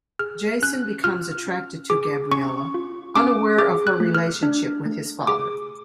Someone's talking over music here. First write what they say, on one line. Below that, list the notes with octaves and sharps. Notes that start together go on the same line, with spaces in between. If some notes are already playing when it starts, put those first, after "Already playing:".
Jason becomes attracted to Gabriela, unaware of her relationship with his father.
G#4 F6
C#4 F#6
F4 F6
C#4
G#4 D6
C#4 C#6
F4
C#4 D6
G#4 D6
F#6
A3
F6
D4
A3
G#4 D6